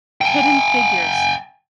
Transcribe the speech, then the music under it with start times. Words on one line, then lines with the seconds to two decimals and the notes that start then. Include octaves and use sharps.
Hidden Figures.
0.21 G5 G#5